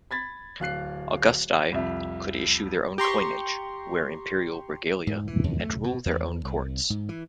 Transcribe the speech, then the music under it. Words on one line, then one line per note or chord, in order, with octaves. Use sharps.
"Augustae" could issue their own coinage, wear imperial regalia, and rule their own courts.
B5 G#6 A6 B6
D1 F5 F#6 C7
C2 F2 E5
G4 A#5 C6 C#6
G#2
E3
D#2
A3
B2
E2
C2
G#2
E3